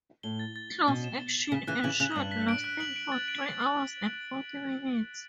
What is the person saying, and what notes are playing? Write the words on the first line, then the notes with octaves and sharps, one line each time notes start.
Close action ensued, lasting for three hours and forty minutes.
A2 G7
A6
A6
A6
B2 A6
E7
G7
G7
C#3 B6
C#3 E3 F#6
C#3 E3 F#7
C#3 F#6
G2 F#7
B6
D7
F#6
F#7
D7
A6
D7